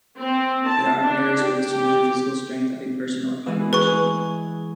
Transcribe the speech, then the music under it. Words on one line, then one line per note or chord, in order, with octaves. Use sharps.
There are various ways to measure physical strength of a person or population.
C4
A5
D4
G4
G4
E3 G#3
G#4 B4 C#6